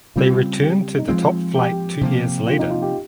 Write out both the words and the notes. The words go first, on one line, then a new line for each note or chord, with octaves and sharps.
They returned to the top flight two years later.
C#3 G3 C4 F4
G4
D#4
F3 G#3 C4 F4
G4
C3 F3 A#3
F4
D#4
F4
G4